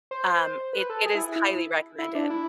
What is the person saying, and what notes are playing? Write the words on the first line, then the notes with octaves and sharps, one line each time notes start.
Um, it it is highly recommended.
C5
B4
A4
G#4
E4
E4
E4
D4
E4